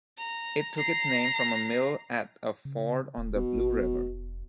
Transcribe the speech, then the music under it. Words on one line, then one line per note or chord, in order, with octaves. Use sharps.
It took its name from a mill at a ford on the Blue River.
A#5
A#5 C7
C#3
D#1
B2
G#1
F1